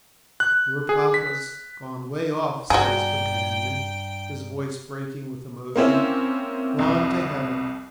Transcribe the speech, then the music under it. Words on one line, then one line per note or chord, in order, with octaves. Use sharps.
"Your papa's gone 'way off"--said his companion, his voice breaking with emotion--"gone to heaven."
F#6
G#4
B6
G2 F#4 G#4 D5 G5 A#5
A#3 C4 C#4 E4
C2 F2